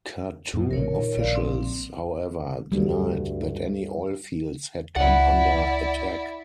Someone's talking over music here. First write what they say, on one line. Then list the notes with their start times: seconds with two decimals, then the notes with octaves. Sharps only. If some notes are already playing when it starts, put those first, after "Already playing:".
Khartoum officials, however, denied that any oil fields had come under attack.
0.54 F#2 A#2 F3
0.71 A#1 B2 D3 A#4 C#5
0.88 A#2 D#3
1.17 A#1 D5 F5
1.36 C4
2.72 D2 G2 G3
4.96 C#2 E4 D5 F#5